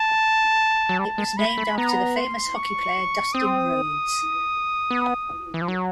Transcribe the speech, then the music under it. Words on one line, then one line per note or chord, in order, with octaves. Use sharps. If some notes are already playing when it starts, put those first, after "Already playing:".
It was named after the famous hockey player Dustin Rhodes.
Already playing: A5
F#3
G3 A5
G#3
G#3 B5
A3
B3 A#5
C6
C#6
C4 D#6
B3
E3
F3
F#3